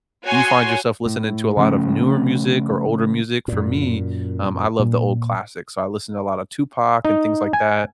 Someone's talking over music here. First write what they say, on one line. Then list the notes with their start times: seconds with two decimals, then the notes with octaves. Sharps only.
Do you find yourself listening to a lot of newer music or older music? For me, um, I love the old classics, so I listen to a lot of Tupac and things like that,
0.24 F#4 C#5 G#5 C6
1.06 A2
1.57 C#3 F3 A3 C#4
3.48 F#2 A#2
4.80 A#2
7.05 D#4
7.53 G#5